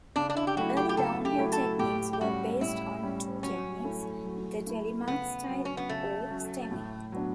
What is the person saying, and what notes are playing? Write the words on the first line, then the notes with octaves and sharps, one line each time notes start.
Early downhill techniques were based on two techniques, the telemark style or stemming.
C#3 D4
D4
E4
G4
F#3 A3 E4 F#4
G4
G4
C#3 A4
G4
F#3 A3 E4
A4
A2 G4
G4
G3 C#4 F#4
A2 E4
G3 C#4
F#3 C#4
A3 E4
F#3
A3 E4
C#3 B3
F#3 C#4
C#4
B3
C#3 A3
F#3 C#4
A2
F#3 B3 D4